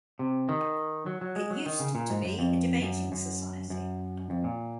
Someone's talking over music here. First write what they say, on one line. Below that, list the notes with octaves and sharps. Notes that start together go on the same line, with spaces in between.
It used to be a debating society.
C3
D#3
F#3
F#3
G#3
F#3
D#3
C#3
A#2
G#2
F#2
F2
F#2
F#2
F#2
F2
A#2